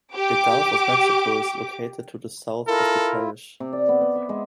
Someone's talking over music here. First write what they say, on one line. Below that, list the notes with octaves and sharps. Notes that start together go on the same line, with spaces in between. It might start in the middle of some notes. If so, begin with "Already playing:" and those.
The Gulf of Mexico is located to the south of the parish.
G4 D6
E4 F4 A4 A#4
C3
D5
B3
B3
E5
G#3